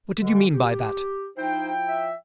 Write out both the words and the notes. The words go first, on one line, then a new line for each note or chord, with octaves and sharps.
What did you mean by that?
D3 E3 G#3
G4
F3 D#4 E4 C5 G5
E5